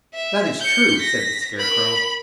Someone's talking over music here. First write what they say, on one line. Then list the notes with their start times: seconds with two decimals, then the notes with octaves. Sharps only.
"That is true," said the Scarecrow.
0.14 E5
0.60 G6 C#7
0.98 A#6 B6
1.57 A#4 B5